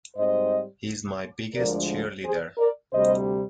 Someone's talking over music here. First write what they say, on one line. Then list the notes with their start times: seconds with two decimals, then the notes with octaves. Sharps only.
He's my biggest cheerleader.
0.16 G#2 G3 C4 C5 D#5
1.54 D2 D3 F3 G#3 A#4 D5
2.23 G#4 C5
2.57 A#4 D5
2.92 D2 C3 G3 C5 D#5